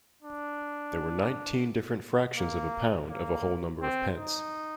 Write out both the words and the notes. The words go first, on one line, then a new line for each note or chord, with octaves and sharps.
There were nineteen different fractions of a pound of a whole number of pence.
D4
A#3
A#3
C4
D#4